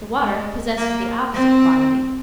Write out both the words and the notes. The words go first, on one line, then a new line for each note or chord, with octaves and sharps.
The water possesses the opposite quality.
G#3
A#3
C4